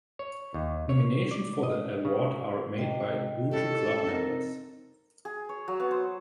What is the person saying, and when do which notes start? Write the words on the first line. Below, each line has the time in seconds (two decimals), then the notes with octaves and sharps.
Nominations for the award are made by Groucho Club members.
0.19 C#5
0.54 D#2
0.89 C#5
1.31 D5
1.63 D#5
2.05 C#3
2.78 A2 C3 D#5 G5
3.51 C#4 E4 G4 A4
4.07 C4 D#4 A#4 A#5
5.25 G#4
5.49 C#5
5.68 F#3
5.80 B3
5.91 C5